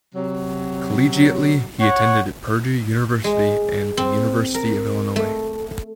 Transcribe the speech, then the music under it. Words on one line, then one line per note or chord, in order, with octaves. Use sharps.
Collegiately, he attended Purdue University and the University of Illinois.
C3 F#3
C#5 F#5
G#3
C4
A#4
A3